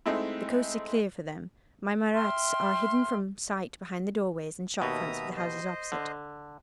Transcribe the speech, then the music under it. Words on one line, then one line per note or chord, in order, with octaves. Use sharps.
The coast is clear for them--my Marats are hidden from sight behind the doorways and shop-fronts of the houses opposite.
G#3 A3 C4 D#4 E4
E5 G5 C6 F6
D#2 B2 E5 A#5 D#6
C5 D#5
D3